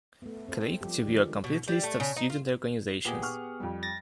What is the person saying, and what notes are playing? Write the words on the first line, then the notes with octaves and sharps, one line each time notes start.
Click to view a complete list of student organizations.
A3 B3
C4 A4
F3 G3 G4
D3 D#3 F3 G#3
B2
G3
A3
C#3
D#4
F4
A#2 B3 G4 G#4
F#5 C#6 F6
F2 G3
A6 A#6